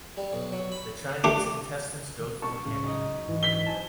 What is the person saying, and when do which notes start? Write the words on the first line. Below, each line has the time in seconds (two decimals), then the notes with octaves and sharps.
The Chinese contestants go through a camp.
0.17 G3
0.33 B1
0.52 F#3
0.72 B5
1.24 A3 D4 G4
2.42 A5 C#6
2.66 C#2 A2 C#3
2.82 F#2 D#4 D#5
3.28 G#2 E3 E4
3.43 B6 G7
3.67 C5 G#5 A5